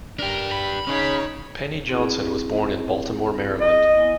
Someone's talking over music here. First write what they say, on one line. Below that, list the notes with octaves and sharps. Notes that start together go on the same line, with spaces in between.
Penny Johnson was born in Baltimore, Maryland.
D4 G4 A#4
B5
C#4 D#4 G#4 C#5
C4 E4 G#4
D#5
B3 E4 G#5